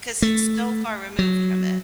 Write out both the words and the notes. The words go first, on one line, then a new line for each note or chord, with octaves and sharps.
'cause it's so far removed from it.
A3
F#3